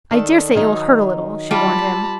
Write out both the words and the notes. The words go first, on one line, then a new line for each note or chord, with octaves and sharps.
"I daresay it will hurt a little," she warned him.
D#3 A4 D5
D#3 F#3 D#4
G3 F4 A5 B5